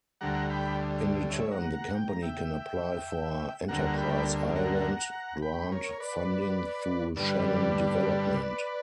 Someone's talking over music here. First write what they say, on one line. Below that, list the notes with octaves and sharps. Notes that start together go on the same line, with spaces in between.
In return the company can apply for Enterprise Ireland grant funding through Shannon Development.
D2 D3 G3 F#5 A#5
G5 B5
C#5 E5
F#5 A#5
F#5 A#5
G5
A#5
E5 G5
D2 D3 G3 A#3 F#5 A#5
G5 B5
F#5 A#5
G5 B5
A#4 C#5
B4 D5
G2 D3 G3 B4 D5